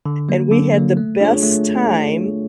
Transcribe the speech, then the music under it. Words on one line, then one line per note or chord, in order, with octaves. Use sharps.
and we had the best time
D3
F#3 A#3
D3
F#3 A#3
A3
D4 F4 G#4 C#5
A3